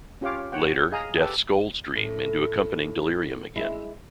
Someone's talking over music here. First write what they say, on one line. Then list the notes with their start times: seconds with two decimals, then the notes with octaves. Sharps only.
Later, Death scolds Dream into accompanying Delirium again.
0.21 C#4 F4 G4 C#5 F5 D6
0.52 C#5 F#5 G5
0.92 G#4 D#5 F5 G#5 A#5 D#6
1.18 G4 A4 B4 G5
1.96 A2
3.56 G#3 E4